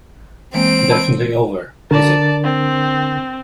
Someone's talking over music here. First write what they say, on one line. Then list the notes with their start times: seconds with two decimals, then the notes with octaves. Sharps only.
Definitely over, is it?
0.54 E3 G#3 A#3 C4 D7
0.90 A5 B5 E6
1.91 D3 D4 A#4 D5 A5
2.44 C4